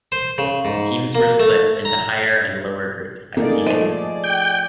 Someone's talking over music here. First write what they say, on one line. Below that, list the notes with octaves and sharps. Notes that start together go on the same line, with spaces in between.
Teams were split into higher and lower groups by seeding.
C5
C#3
G#2
A#3
A3
A#5
D#3 A3 A#3 G#4 D5
F3 A3 D#5 D#7
G5